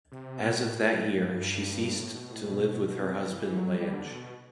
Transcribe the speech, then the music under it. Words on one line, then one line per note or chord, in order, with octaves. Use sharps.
As of that year, she ceased to live with her husband Lange.
C3
B2
A2
G2
A2
B2
A2
A2
B2
C3
E3
F#3
G3
D3
B2